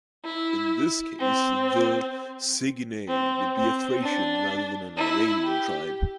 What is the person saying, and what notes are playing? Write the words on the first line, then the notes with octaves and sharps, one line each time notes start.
In this case the Sigynnae would be a Thracian rather than an Iranian tribe.
E4
C4
C4
C4
D4
E4
G4